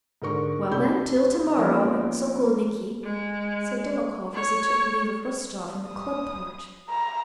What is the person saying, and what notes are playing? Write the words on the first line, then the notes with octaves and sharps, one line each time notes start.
"Well then, till tomorrow at Sokolniki," said Dolokhov, as he took leave of Rostov in the club porch.
G#2 D3 A#4 C#6
C3 B5 G6
F3 A#3 B3 C#4 A#4
G#3
C#5
D#6
A#5